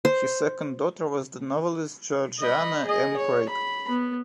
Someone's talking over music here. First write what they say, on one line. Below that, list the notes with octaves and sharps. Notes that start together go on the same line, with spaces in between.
His second daughter was the novelist Georgiana M. Craik.
C5
D#5 B5
G#4 D#5
C#5
B5
B3